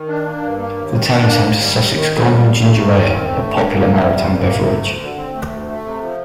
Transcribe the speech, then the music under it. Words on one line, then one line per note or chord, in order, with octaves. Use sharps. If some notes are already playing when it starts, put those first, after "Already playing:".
The town is home to Sussex Golden Ginger Ale, a popular maritime beverage.
Already playing: D#3
D4
A#3
G2
A#3
D#2
D#3
D4
A#3
D#2
G3
D#2
D#3
D#2
G3
D#2
A3
G2
D#3
C4
A3
G2
A#3
C3
G3
C3
A#3
C3
A3
D2
D3
C4
A3
D2
A3
C3
F3